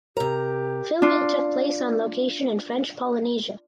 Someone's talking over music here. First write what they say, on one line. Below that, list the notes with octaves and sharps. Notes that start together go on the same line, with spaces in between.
Filming took place on location in French Polynesia.
C3 G4 A#4 A#5
D4 F4